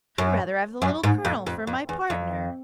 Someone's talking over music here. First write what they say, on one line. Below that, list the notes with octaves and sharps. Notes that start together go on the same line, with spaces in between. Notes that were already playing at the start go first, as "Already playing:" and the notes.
"I'd rather have the Little Colonel for my partner."
F#2
F#2
G#2
F2
F2
F2
E2
F2